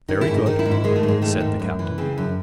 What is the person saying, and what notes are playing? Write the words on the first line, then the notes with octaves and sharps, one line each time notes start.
"Very good," said the captain.
D#3 D#4
E4
G#2
D#4
D#3 D#4
E4
G#2
E4
D#3 G#3
A3
G#2
G#3
D#3 A3
G#2
F#2
E3
C#3 C4
F#2